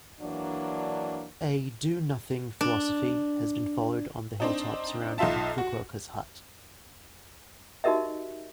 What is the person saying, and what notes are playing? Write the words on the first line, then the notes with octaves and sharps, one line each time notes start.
A do nothing philosophy has been followed on the hilltop surrounding Fukuoka's hut.
E3 F#3 A#3 D4
D4
C4 D4 D#4
B1 D#4 F4 E5 A5
F#4
D#4 F#4 G4 A#4 D#5 E5